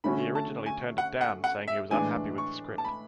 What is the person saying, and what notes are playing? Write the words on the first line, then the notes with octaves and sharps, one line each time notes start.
He originally turned it down, saying he was unhappy with the script.
D3 A3 C#4 F#4 B5
A5
G#5
F#5
F#5
F#5
E5
A2 E3 G#3 D4 G#5
C#6
A5
B5